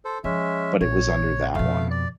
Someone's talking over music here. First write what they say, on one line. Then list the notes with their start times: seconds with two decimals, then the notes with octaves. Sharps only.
but it was under that one.
0.05 A4 C5
0.24 F3 G#3 C#4 E5
0.81 A#1 C#5
1.55 F2 B2 A3 F5
1.91 D5